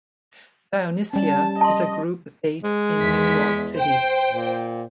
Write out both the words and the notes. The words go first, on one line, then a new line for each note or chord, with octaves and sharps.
Dionycia is a group based in New York City.
G3 C#4 A5
D#5 A5 C6
G#3
E2 B6
C5 G5
A#2